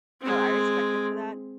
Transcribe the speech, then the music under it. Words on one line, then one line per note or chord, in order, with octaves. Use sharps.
So, I respect them for that,
G#3 C4